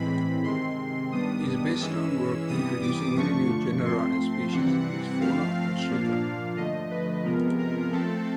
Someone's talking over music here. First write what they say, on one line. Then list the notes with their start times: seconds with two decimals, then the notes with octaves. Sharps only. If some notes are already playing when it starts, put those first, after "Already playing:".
His best-known work, introducing many new genera and species is Fauna Austriaca.
Already playing: A2 E3 G#3 C4 B5
0.44 C3 D#3 G#3 C4 C6
1.12 D#3 G3 B3 D4 D#6
1.81 E3 G#3 C#4 E6
2.48 C3 E3 G3 B3 D#6
2.82 D6
3.16 D3 F3 A3 D4 C#6
3.85 F3 A3 C4 C6
4.53 C3 E3 G3 C4 F#5
5.20 F3 A3 C4 F5
5.89 A#2 F3 A#3 D4
6.57 D3 F3 A3 D#5
6.90 B4
7.24 C3 F3 G#3 B3 A#4
7.59 A#4
7.92 F3 A3 C4 A4